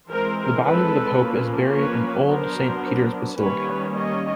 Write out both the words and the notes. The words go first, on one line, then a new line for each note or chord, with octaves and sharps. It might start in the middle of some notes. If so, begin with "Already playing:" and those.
The body of the pope is buried in Old Saint Peter's Basilica.
E3 G#3 C4 A#4 C5
A4 B4
F3 A#3 C#4
B4 C#5
F#3 B3 D4 A#4 C5
D#3 G3 A#3 C#4 B4 C#5
C#5 D#5